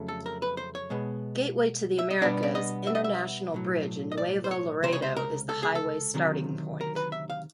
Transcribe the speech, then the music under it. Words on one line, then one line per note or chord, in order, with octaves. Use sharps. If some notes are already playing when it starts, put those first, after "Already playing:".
Gateway to the Americas International Bridge in Nuevo Laredo is the highway's starting point.
Already playing: F2 C#3 F#3 A3
A4
A#4
B4
C5
C#5
B2 G#3 B3
E5
D#5
B2 G3 B3 D4 D5
D5
D#5
E5
D#5
E5
B1 A2 F#3
D#5
D5
C5
C#5
C#2 C3 C5
C#5
C5
A#4
A4
G#4
A4
D2 C3 D#3 F#3
A#4
B4
E5
F5